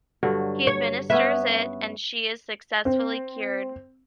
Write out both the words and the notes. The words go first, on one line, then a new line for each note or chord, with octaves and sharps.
He administers it, and she is successfully cured.
G2 D3 F#3
C#5
B3 C#4 B4 E5
C4